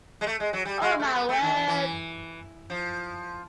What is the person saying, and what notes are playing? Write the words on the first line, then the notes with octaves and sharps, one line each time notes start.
Oh my word.
G#3
A3
G#3
F#3
G3
G#3
A3
B3
A3
D#3
E3
E3
F3